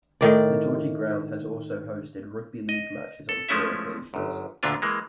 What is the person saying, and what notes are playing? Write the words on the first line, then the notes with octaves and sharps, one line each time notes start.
The Gorgie ground has also hosted rugby league matches on four occasions.
A2 D#3 D5
D#5
A4
F3 G#3 A3 C#4 E4 E5
G1 F#2
D2 A#2 D3 D4 F4
E3 G#3 A#3